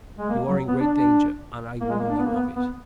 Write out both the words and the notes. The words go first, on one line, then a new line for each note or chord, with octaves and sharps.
You are in great danger, and I warn you of it.
G#3
A#3
F#3
B3
D4
D4
A#3
G#3
A#3
D4
B3
A#3
B3
B3